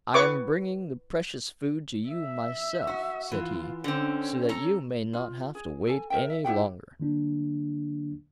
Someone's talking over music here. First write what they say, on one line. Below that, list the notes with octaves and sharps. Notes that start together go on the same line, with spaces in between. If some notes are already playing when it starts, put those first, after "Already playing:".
'I am bringing the precious food to you myself,' said he, 'so that you may not have to wait any longer.'
B4 C#6 D6
E5
F#4
E3 F4
D3 C4 C#4
A4 A#5
F4
G#4
A4 G#5
A#4 E5 G5
E5
E4 G4 F#5 G5
D3 F#3 A#3 D4